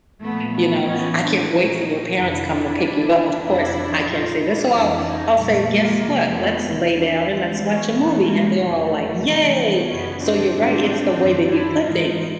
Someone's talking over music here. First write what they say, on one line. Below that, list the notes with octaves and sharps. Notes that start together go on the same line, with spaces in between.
you know, "I can't wait till your parents come to pick you up." Of course, I can't say this, so I'll I'll say, "Guess what, let's lay down and let's watch a movie," and they're all, like, "Yay!" So you're right, it's the way that you put things.
A#2 F3 A3 B3
A3 B3
A2 E3 B3 C#4
C4 D4
A#2 F3 C#4 D#4
F2 C3 D#3 D4 E4
D4 E4
E2 B2
F2 C3 F3 D4 E4
A#2 F3 D#4 F4
D4 E4
F2 C#3 E3
C#4 D#4
A#2 F3 G3 A3
G#3 A#3
F2 C3 F3
A3 B3
E2 C3 E3 G#3 A#3
D4 E4
G#2 E3 C4 D4
B3 C#4
E2 B2 A3 B3
G#3 A#3
F2 C#3 E3 G3 A3
E2 C3 D#3
A3 B3
F#2 C#3 E3 B3 C#4
C4 D4
G#2 D#3 C4 D4
F#2 D#3
D4 E4
G#2 E3 D#4 F4